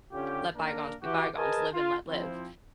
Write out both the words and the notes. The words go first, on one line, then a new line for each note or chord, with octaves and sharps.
let bygones be bygones? Live and let live."
D3 C#4 F4 G4
A#3 D4 A#4
E3 F#4 G4
G#4 A#4 B4 D#5 G#5 A5
F4
F3 C4 E4